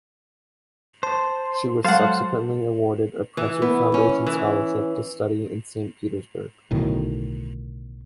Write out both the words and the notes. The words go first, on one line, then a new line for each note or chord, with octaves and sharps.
She was subsequently awarded a Presser Foundation Scholarship to study in Saint Petersburg.
C5 A5
F#3 G#3 A4 C5 F5 F#5
E3
B3
C#4
E3
B1 A2 D3 D#3